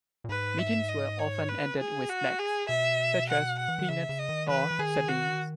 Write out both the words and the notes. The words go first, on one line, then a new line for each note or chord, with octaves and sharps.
Meetings were often ended with snacks, such as peanuts or sardines.
A#2
G#2 B4
E5
D#5
C#5
B4
G#4
F#4
G#4
B2 E5
F#5
F#5
E3
D#3
C#3 E5
C#3
D#5
D#3
E3 B4
E3
D#3 G#4
F#4